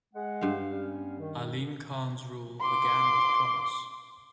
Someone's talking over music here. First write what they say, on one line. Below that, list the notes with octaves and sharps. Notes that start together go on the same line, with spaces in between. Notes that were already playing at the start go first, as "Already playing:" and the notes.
Alim Khan's rule began with promise.
G#3 F#5
G2 C5 F5
G3 B3 C#4
D#3
C6 D6